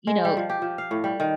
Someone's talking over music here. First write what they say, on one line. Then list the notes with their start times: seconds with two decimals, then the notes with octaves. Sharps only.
you know,
0.07 G#3
0.25 G3
0.37 F3
0.50 G4
0.62 F3
0.78 F5
0.91 A2
1.04 G3
1.20 D#3